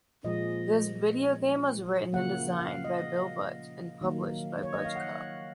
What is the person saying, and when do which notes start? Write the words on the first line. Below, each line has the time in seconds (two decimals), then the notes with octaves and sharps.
This video game was written and designed by Bill Budge and published by BudgeCo.
0.24 A#2 F3 G#3 D#5
2.13 C#3 F3 A#3 F#5
2.60 F5
2.84 D#5
4.01 D#3 F#3 A#3
4.63 C#5
4.73 D#5
4.85 F5
4.96 F#5